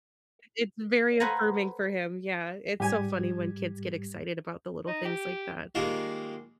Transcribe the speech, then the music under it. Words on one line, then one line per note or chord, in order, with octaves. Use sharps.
It's very affirming for him. Yeah, it's so funny when kids get excited about the little things like that.
A4 B4 C5 F#5 G#5 A#5
G#2 G3 G4 G#5
D#4
G4
D#3 G3 G#3 A#3 F4 F#4